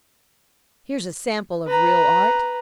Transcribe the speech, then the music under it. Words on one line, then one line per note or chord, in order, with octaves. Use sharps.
'Here's a sample of real Art.
B4 A#5